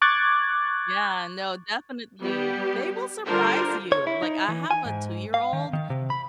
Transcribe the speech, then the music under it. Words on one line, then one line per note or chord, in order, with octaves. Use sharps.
Yeah, no, definitely. They will surprise you. Like, I have a two-year-old,
C#6 D6 F#6 G#6 A6
G3 B3 G4
D3 G3 D4 F4 A#4 C5
C#5
E4
D#4
E3
G#5
G#2
F5
D#3
D#3
C3
B5